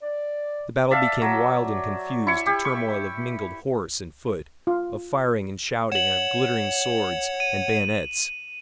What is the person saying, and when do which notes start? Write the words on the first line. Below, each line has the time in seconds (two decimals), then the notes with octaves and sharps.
The battle became wild and confused, a turmoil of mingled horse and foot, of firing and shouting and of glittering swords and bayonets.
0.02 D5
0.91 D5 E5 F5 A5
1.22 F#3
2.27 E4 C#6
2.46 G4
2.65 C#6
4.67 F4
5.92 C#5 F#5 E7 F#7
7.40 D#7